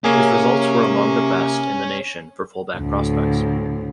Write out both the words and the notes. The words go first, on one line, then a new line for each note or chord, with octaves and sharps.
His results were among the best in the nation for fullback prospects.
C3 A#3 C#4 G#4 C#5
D2 A2